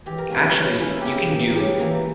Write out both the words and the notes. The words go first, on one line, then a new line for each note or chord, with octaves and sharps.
Actually, you can do
E3 G4
A#4
A#3 C#4 B4
B4
E3 C#5
B4
A#3 C#4
E4
C#3 E4 G4
E3 A#3
C#3 G4
E3 A#3